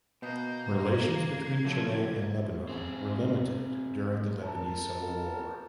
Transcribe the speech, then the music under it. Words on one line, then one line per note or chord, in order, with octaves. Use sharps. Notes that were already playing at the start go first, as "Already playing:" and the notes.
Relations between Chile and Lebanon were limited during the Lebanese Civil War.
B2 A#3 B3 D#5 G6
G#6
D3 F3 F#3 A3 C#4 A4
C4 G#4
A#4 A5